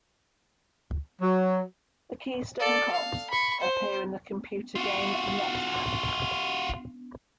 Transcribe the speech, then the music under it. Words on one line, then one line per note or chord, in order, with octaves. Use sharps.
The Keystone Kops appear in the computer game "NetHack".
F#3
A4 D5
F5
B5 C#6
C5
F4 F#4